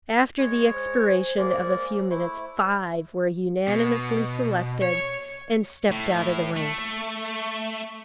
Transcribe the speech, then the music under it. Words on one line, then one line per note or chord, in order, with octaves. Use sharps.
After the expiration of a few minutes, five were unanimously selected and stepped out of the ranks.
G#3 C#5
C5
G#3 A#3 D5
A3 E4
B2
C#5
A2
A3